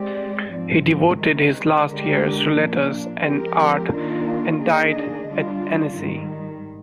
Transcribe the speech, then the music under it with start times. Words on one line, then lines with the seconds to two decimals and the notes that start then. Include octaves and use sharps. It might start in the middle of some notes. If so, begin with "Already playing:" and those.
He devoted his last years to letters and art, and died at Annecy.
Already playing: G#3 C4 G4 D5
0.50 G#2 F3 C4
1.18 C3 D#3 G#3
1.87 D3 G#3 D4 G4 A#4
2.55 A#2 F3 A#3 D4
3.24 F3 G#3 C4 G4 A#4
3.92 D#3 A#3 D4 F4 A#4
4.61 D#3 A#3 D4 G#4 D#5
5.29 D3 G3 D4 F4
5.97 G#2 D#3 G3